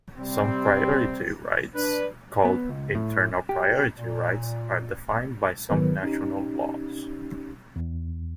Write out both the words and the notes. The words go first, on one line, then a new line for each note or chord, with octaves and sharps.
Some priority rights, called "internal priority rights", are defined by some national laws.
C3 G3 C4
D4 B4
B3
C#2
A2
G4
A#2
D#3 F#3 B3 B4
C#4 D#4 G4
E2